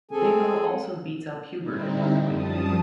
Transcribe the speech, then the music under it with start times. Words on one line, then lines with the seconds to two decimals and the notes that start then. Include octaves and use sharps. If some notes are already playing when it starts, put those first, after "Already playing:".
Dingle also beats up Hubert at one point.
0.11 C4 G#4 A4 G#5
1.59 D3 G3 C4 D#4 E4
2.27 F#2 F3 G3 A5 D#6